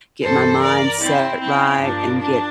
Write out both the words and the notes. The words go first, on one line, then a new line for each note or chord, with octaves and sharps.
get my mind set right and get,
G2 E3 A#3 A4 C5
A#4 D5
C4 E4
C4 E4
G2 F3 A#3 D4
D4